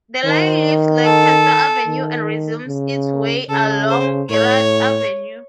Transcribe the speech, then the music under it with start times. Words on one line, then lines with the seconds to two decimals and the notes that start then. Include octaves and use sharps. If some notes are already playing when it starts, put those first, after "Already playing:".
The line leaves Lancaster Avenue and resumes its way along Girard Avenue.
0.25 D#3 C5
1.05 A4
1.87 D#3
2.68 C#3
3.49 C#3 A4
3.90 C5
4.30 A2 C#5